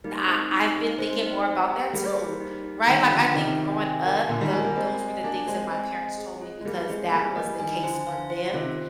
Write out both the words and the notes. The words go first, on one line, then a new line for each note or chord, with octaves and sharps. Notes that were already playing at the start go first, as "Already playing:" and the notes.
I I've been thinking more about that too. Right? Like, I think growing up, tho those were the things that my parents told me because that was the case for them.
G3 A#3 D#4
G#3 C4 D#4
D#4
G#3 D#4
A#3
G#3 C4 C5
D#4
C5
G4
G3 A#3 G#4
C5
D#4
D#4
D#3 G3 G5
D3 F3 G5
C3 D#3 D#4
G5
G#5
A#4
A#2 D3 A#4
D#3 G3
F3 G#3 G#5
G3 A#3
G#3 C4 D#5
G#5
A#3 D4 G#5
G#3 C4 G#5
G#3 C4 G#5
D#5
G#4
F4
G#3
G3 A#3 G#4
G#3 C4 G#4
G3 A#3 G#5
C4
G3 A#3 D#5
D#3 G3 G#5
D3 F3 C5
D3 F3 F5
C5
C3 D#3 F4